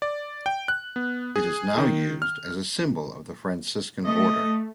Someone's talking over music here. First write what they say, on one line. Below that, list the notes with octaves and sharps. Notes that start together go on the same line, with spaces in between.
It is now used as a symbol of the Franciscan Order.
D5
G5
F#6
B3
G#4
D#3
F6
A3 D#5